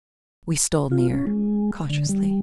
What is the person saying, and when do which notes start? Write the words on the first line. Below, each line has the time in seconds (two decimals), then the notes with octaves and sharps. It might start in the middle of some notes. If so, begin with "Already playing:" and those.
We stole near, cautiously.
0.91 F4
1.14 C#4
1.27 G#3
1.90 D3
2.09 G3